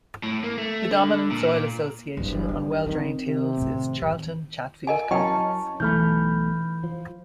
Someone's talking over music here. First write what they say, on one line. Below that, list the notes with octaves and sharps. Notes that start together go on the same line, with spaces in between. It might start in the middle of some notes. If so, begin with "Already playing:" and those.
The dominant soil association on well-drained hills is Charlton-Chatfield complex.
A2
A#3
A3
D3
A#2
F#1 G2 E4
E3 D#4
D#3 C4
C3
A2 D#3
D#3
A#4 D#5 G#5
F#3 C#4 E4 D#5 G5 A5 C#6
B1 E3 A3 B5 F6 G6
F3